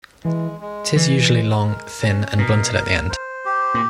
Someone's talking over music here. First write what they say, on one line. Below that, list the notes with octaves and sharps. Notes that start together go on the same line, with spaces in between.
It is usually long, thin, and blunted at the end.
E3 G#3
G#3
E3 G#3
G#3
A#4
C#4
B2 A#4
A#4
C5
G4
A#2